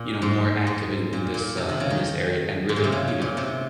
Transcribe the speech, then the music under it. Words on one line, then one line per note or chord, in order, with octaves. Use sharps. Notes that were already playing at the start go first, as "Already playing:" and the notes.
you know, more active in in this, uh in this area and really, you know, m
Already playing: A#2
G#2
G#2
A#2
A#2
C3
D#3
C#3
D#3
G#2
A#2
C3
C#3
C#3
A#2
C3